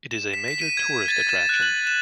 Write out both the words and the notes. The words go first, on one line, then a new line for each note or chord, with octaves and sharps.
It is a major tourist attraction.
E7
B6
B6
D#7
G#6
A6
E7
F#6
F#7
E7